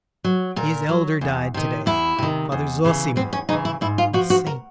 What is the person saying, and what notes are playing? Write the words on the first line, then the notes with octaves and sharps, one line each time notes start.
"His elder died to-day, Father Zossima, the saint."
F#3
A#2 A#4
F#3
E2
C3 D#3
E2 E4
C3 D#3
E2
C#3 E3
E2 C4
C#4
C#3 E3 D#4
E4
G#2 E4
F4
F3 F#4
F#4
A#4